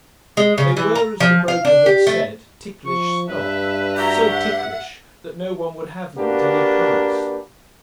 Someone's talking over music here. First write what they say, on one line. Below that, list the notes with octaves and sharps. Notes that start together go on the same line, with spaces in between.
They were, as the broker had said, ticklish stock; so ticklish that no one would have them at any price.
G#3
C#3
E3
A#5
F3
F5
D4
G4
A3
F3 C#6
G2 B4 E5
F#4 G4 E5 A#5
F#5
A#3 D4 F#4 G4 B4